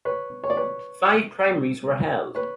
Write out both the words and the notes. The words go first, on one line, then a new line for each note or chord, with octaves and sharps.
Five primaries were held.
B4 C#5
C#5
D5
B4 C#5
B4 C#5